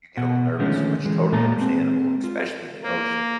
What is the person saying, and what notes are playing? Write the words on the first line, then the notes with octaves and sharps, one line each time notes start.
you get a little nervous, which totally understandable, especially in the ocean.
B2 F#5
D3 D#3 F3 G#3 A3 C#4
E3 G#3
A#2 A3 A#3 A4 A5 A#5
G#3 C4
F4
A#3